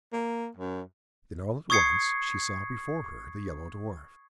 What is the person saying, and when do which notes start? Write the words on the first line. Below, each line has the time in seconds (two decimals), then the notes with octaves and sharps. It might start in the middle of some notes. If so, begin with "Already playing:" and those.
Then all at once she saw before her the Yellow Dwarf.
0.13 A#3
0.57 F#2
1.70 C#6 D#6 G#6 C7 C#7